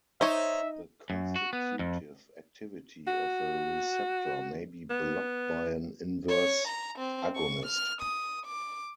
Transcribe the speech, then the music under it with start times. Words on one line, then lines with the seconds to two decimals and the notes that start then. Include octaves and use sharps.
The constitutive activity of a receptor may be blocked by an inverse agonist.
0.21 D#4 C5 C#5 E5
1.10 F#2
1.36 F#4
1.53 B3
1.79 F2
3.07 F#4
4.90 B3
6.28 C#5
6.68 A#5
6.98 C4
7.35 C#6
7.66 F6
8.01 D#6
8.46 D6